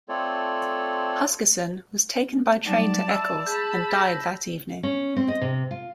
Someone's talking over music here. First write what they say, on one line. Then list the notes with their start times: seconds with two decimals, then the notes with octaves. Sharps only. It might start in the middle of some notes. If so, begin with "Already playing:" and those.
Huskisson was taken by train to Eccles and died that evening.
0.09 A3 C4 F4 A4 C#5 D5
2.65 F#3 G3 D#4 D5 A5
3.09 E5 B5 E6
3.47 G#4 A5 B5 G6
3.93 G6 A#6
4.83 C#4
5.17 C4
5.28 D#5
5.41 C3
5.71 F4